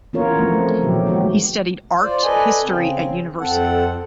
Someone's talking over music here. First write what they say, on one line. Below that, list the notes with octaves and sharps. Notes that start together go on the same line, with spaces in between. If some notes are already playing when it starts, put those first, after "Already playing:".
He studied art history at university.
E3 B3 C#4 F4 A#4 C#5
F3 A3 C4
A3
A#2 D#3 F3 F#3 G4
F3 G#3 B3 F#4 G4
F4 C5 D5
A4 B4 D5 D#5 G#5
C#3 C4
F2 C4 A4 F#5